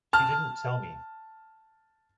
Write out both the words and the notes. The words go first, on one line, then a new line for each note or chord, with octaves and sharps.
She didn't tell me.
A5 F6